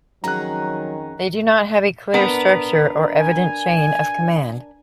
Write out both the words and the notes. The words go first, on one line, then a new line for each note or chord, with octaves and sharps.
They do not have a clear structure or evident chain of command.
F2 D#3 F#3 C#4 G#4 A#5 F#6
B3 D4 A#4 B4
G#5